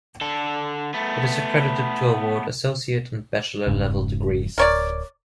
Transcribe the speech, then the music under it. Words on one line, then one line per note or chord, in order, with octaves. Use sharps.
It is accredited to award Associate and Bachelor-level degrees.
D3 A4
A3 B3
F1 G#2 C#3
D1 A#4 C#5 D5